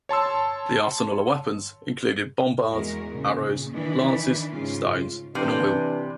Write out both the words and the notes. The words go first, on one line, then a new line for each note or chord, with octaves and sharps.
The arsenal of weapons included bombards, arrows, lances, stones and oil.
C#5 A5 C6 E6
E2 G#3 F#4 A#4
A#2 C#3
D#3 E3 D4 D#4 B4
G#2 C#3 F4
C3 E3 D4 B4